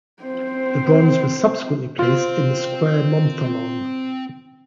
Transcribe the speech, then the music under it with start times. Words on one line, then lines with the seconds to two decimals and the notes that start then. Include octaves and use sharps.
The bronze was subsequently placed in the Square Montholon.
0.23 C4 C5
1.99 C4 F4 C5